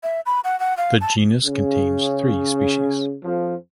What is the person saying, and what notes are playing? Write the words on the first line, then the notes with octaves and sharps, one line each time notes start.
The genus contains three species.
E5
B5
F#5
F#5
F5
A5
C#3
F2 F3